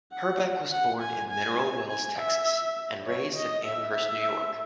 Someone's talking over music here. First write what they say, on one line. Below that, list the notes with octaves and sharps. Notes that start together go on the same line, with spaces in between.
Herbeck was born in Mineral Wells, Texas, and raised in Amherst, New York.
F#5
F#5
G#5
G#5
G#5
E5
C#5
D#5
E5
E5